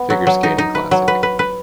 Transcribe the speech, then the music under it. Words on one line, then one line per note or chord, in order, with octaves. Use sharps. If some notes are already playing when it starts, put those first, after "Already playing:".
Figure Skating Classic.
Already playing: B3
F#3
F#3
D#4
D#4
B4
F#3
B4
B4
B4